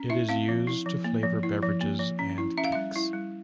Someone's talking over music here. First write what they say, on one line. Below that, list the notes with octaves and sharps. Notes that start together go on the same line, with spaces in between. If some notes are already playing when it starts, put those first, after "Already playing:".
It is used to flavor beverages and cakes.
Already playing: C#4
E4 E5
C4 F5
F3
E4
F3
A#3
F3
E4
F3
A#3
F3
C#4
E4
C#4 E5
F5
G3 E5
E4
G3